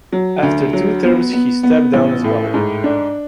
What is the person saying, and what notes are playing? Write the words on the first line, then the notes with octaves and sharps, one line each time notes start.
After two terms he stepped down as governor.
F#3
D2
F#3
B3
B3
B3
A1
A2
G#2
D4